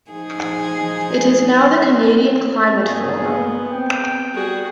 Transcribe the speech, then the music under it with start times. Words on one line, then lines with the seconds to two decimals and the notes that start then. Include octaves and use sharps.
It is now the Canadian Climate Forum.
0.11 F3 D#4 G#4
2.78 G2 A#3 G#4
3.18 B3
3.72 C4 G5
4.34 G3 F#4 G#4